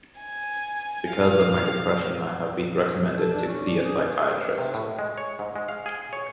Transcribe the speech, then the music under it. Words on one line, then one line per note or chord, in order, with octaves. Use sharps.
Because of my depression, I have been recommended to see a psychiatrist.
G#5
F5
A4
D4
C#4
D5
G#4
C3
A2
G#3
C#5
G#2
G#3
F5
G#4
C#5